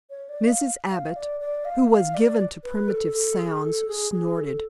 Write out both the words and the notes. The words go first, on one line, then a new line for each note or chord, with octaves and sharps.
Mrs. Abbott, who was given to primitive sounds, snorted.
C#5
D5
F5
F5
D5
D5
F5
F5
D5
B4
A4
A4
G#4
A4
G#4
G#4
A4